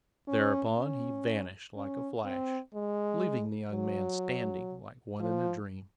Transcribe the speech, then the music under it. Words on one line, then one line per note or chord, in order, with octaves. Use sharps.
Thereupon he vanished like a flash, leaving the young man standing like one in a dream.
C#4
C#4
C#4
C4
G#3
F#3
F3